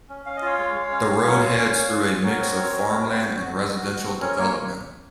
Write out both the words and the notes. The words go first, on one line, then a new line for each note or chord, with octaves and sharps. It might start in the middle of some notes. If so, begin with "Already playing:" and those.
The road heads through a mix of farmland and residential development.
C#4
C#4 F5
D#5
F4 C#5 F5
G#3
G#3
C#4
C#4
F#3 C#5 F5
F4
C#4
C#4
F4
C#4
F#4 A#4 C#5
C4
C4
F#4
C4
F#4
F#4
F#4
F#4
F#4
F#4
C4
C#4 A#4 C#5
A#3 A#4 C#5